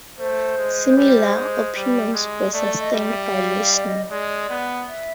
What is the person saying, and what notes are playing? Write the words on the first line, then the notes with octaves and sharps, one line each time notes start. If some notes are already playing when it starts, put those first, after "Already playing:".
Similar opinions were sustained by Lisseanu.
A3 C5
G#3
G3
G#3
G3
G#3
A3 D5
D#5
G3
E5
F5
F5
D5
D#5
G#3 D5
B3
E5